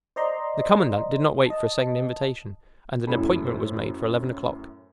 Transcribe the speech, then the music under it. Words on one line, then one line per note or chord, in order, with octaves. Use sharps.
The commandant did not wait for a second invitation, and an appointment was made for eleven o'clock.
C5 D5 D#5 A#5 C6
D#5 A5
F#2 A2 E4 A4 B5
A3 C5